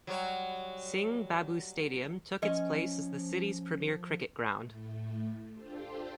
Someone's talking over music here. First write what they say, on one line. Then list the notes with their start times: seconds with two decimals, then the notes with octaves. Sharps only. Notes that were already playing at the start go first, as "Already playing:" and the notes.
Singh Babu Stadium took its place as the city's premier cricket ground.
0.07 F#3 G3 C#5
2.42 F3 C#4 D#5
4.56 A2 A3
5.53 D4 F4 G4 A4 C5